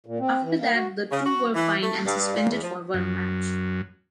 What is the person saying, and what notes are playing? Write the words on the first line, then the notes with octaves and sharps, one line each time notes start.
After that the two were fined and suspended for one match.
A#2
C4
E3
A#3
F#4
C#3
F#4
E3
A3
G2
A#2
E2
F3
F#2